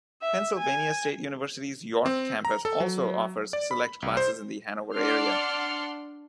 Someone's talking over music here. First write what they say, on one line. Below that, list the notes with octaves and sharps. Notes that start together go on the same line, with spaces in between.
Pennsylvania State University's York Campus also offers select classes in the Hanover area.
E5
G#5
C4
A#5
A4
F#3
D5
B5
C2
C5
D4 D5 F#5 C6 F6